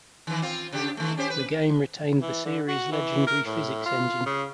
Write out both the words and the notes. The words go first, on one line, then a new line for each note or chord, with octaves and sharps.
The game retained the series' legendary physics engine.
D#3 E3
C4 F4
C#3 D4 G4
D#3 A3
C#4 G4 C5
B4
E3
D3
F#4
E3
A#4
A2
F4
C#3